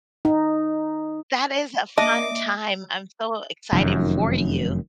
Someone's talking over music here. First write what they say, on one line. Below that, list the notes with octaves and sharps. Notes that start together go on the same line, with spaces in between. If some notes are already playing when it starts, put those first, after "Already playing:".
That is a fun time. I'm so excited for you.
D#4
A#3 D4 D#5 E5 D6
F1 F#2 D#3